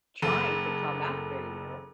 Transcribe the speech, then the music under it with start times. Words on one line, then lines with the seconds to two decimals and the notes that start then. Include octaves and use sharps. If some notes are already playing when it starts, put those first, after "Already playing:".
trying to come after you.
0.22 F#1 A4 D#7